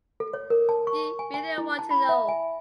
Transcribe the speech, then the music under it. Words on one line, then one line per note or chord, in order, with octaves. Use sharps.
You really want to know?
A4
C#5
A#4
A5
C#6
G#5
G#5
E4
A5
B5
E5
G#5